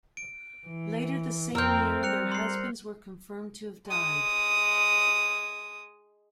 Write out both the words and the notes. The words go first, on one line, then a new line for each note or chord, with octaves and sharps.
Later the same year their husbands were confirmed to have died.
D7
E3
F2 C4 A#4 E6 F6 G6
G3 F#6 C#7 F7
C6 C7
G#3 D#6